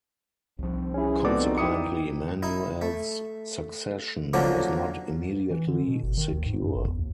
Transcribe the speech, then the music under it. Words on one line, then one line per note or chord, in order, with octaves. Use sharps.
Consequently, Manuel's succession was not immediately secure.
C2 F3 C4
E3 C#4 E4 F#4 G#4
A#2 B3 C4 D#4 F#4 A4 D5 D6
E4 G5 D6 D#6 C#7
D#4 E4
A3
D3 F3 F#3 A#3 C#4 D4
E3
D3
B2
G1
D#3
D#2
G#2
F#2
G#1
E2
D#2